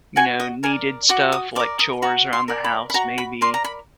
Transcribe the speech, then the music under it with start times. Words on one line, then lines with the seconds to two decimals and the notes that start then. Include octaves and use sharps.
you know, needed stuff, like chores around the house maybe,
0.16 F#4 G#5
0.40 D#5
0.63 A#4 D5 G#5
1.09 F#4 D6
1.32 D#6
1.55 D5 D6
1.60 A#4
1.79 D#6
2.02 F#4 A#5
2.33 C6
2.48 A#4 D5
2.64 B5
2.90 B5
2.94 F#4 A#5
3.18 B5
3.41 A#4 D5 C6
3.54 A#5
3.64 B5